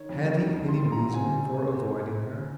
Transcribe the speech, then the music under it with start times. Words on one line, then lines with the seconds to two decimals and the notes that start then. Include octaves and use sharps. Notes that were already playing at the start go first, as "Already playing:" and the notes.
Had he any reason for avoiding her?
Already playing: D#3 C#5
0.09 F2
0.24 G3
0.39 D#3
0.53 F2
0.69 G3 C6
0.84 A#2
0.92 A#5
1.00 C2
1.14 C4 G#5
1.29 G3
1.45 C3
1.60 C4